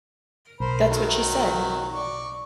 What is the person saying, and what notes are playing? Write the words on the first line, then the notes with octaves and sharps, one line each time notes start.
That's what she said!
B1 A#4 C5 B5
D#3 F#3
D5 C#6